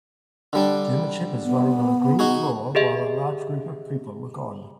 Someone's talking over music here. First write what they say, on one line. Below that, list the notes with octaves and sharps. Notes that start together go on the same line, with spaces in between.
German Shepherds running on a green floor while a large group of people look on.
D3 G3 D4
B3
D#4 F#4 G#4
G4 G#4 D#5 E5